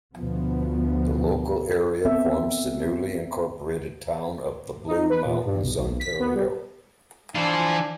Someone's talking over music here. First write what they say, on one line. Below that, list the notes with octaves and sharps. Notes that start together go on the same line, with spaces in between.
The local area forms the newly incorporated town of The Blue Mountains, Ontario.
D2 B2 F3 B3
B3 C4 A4 E5
D#4
B4
A#2
G2
B1
B1
B6
B3
G3
E3 F3 D4 F4 C5 G#5